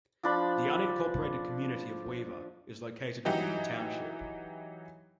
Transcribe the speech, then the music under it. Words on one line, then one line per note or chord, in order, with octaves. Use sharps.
The unincorporated community of Weaver is located within the township.
F3 D4 B5
E3 F#3 D#4 G4